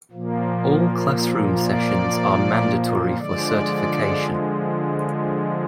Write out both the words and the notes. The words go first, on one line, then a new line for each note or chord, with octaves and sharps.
All classroom sessions are mandatory for certification.
A#2 F3 A#3
D5
D3 F3 G#3 D5